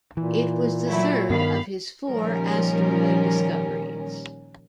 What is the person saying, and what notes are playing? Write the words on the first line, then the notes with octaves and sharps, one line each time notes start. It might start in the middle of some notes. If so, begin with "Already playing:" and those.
It was the third of his four asteroid discoveries.
A#2 E3
F#3 A3 E4
G2 D#3 B3 F5 B5
A#2 D#3 F3 G3 C#4 A#4